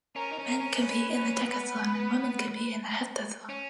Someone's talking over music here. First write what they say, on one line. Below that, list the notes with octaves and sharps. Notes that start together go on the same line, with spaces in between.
Men compete in the decathlon and women compete in the heptathlon.
C#4 A#4
D#4
C#4
A#4
C#4
C#4 B4
D#4
C#4
A#3
B3
C#4